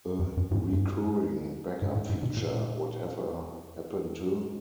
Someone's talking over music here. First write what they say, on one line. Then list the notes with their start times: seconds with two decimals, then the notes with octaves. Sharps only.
A recurring back-up feature Whatever Happened to...?
0.19 F2
0.37 F#2
0.51 G2
0.55 G#2
0.73 G2
1.82 G#2
1.96 A2
2.10 G#2
2.23 B2
2.37 A#2